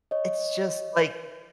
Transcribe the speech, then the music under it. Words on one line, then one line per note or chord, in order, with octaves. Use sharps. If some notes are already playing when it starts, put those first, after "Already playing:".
It's just like
C#5 D#5